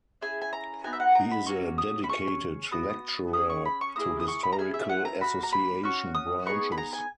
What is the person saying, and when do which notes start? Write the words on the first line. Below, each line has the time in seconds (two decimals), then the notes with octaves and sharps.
He is a dedicated lecturer to Historical Association branches.
0.21 C#4 E4 G#4 G#5
0.42 G#5
0.53 A#5
0.84 B3 D#4 F#4 G#5
0.93 E5
1.00 F#5
1.15 A#5
1.31 B5
1.46 A#3 C#4 F#4 C#6
1.78 D#6
2.04 B5
2.09 C#4 E4 G#4 C#6
2.71 B3 F#4 D#6
2.90 D#6
3.33 C#4 G#4 D#6
3.50 C#6
3.65 B5
3.81 C#6
3.96 A#3 E4 G#4 D#6
4.20 D#6
4.28 C#6
4.43 B5
4.52 A#5
4.58 C#4 E4 G#4 G#5
4.74 E5
4.89 F#5
5.05 A#5
5.21 D#4 F#4 B5
5.26 A#3
5.43 A#5
5.53 B5
5.83 C#4 F#4 C#6
6.15 D#6
6.46 B3 D#4 G#4 C#6
6.72 B5
6.78 A#5
6.93 G#5